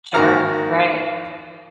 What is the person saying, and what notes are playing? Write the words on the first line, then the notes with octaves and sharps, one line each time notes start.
Sure, right.
G#2 D#3 A#3 F#4 A#5 F6